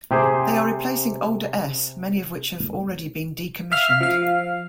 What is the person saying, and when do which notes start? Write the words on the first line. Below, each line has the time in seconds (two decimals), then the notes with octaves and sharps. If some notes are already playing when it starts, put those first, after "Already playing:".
They are replacing older s, many of which have already been decommissioned.
0.11 C3 G4 G#4 C5
3.72 E5 F5 F6
4.01 F3 F5